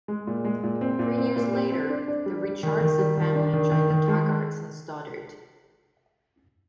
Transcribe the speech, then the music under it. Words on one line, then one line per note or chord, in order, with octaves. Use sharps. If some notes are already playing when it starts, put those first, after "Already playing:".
Three years later, the Richardson family joined the Taggarts in Stoddard.
G#3
A#2
G#3
A#2
C4
A#2
C4
A#2
C4
C4
D4
D4
G3
G3
D#3
D#3
G3
D#3
D4
D#3
D#3
D#3
G#3